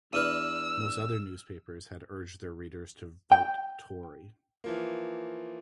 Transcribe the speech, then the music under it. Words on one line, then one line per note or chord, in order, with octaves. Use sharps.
Most other newspapers had urged their readers to vote Tory.
E2 D4 B4 E6 F6 D#7
G5
E3 F3 A#3